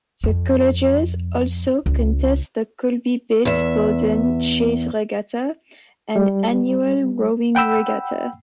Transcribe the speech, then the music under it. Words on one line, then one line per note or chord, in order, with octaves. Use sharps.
The colleges also contest the Colby-Bates-Bowdoin Chase Regatta, an annual rowing regatta.
F2
C#2
E2 E5
G3
F#5 G5 B5 E6